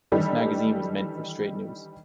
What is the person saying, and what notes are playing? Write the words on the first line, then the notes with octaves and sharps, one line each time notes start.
This magazine was meant for straight news.
D#3 E3 G3 D4 D#4 A4